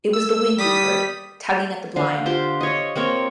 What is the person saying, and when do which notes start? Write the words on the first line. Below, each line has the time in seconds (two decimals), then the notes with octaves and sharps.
It was the wind you heard, tugging at the blind.
0.13 E6
0.58 G3 D#6 B6
1.96 D3 F5
2.26 F4 G4 C5
2.61 C#5 D#5
2.95 A#3 C4 A#4 C#5